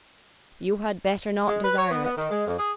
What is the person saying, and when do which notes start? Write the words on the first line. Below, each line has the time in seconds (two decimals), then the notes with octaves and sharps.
"You had better not desire it."
1.48 G#3
1.63 B4
1.78 C#5
1.91 B3
2.04 B3
2.18 D#3
2.31 G#3
2.47 F2
2.59 G#4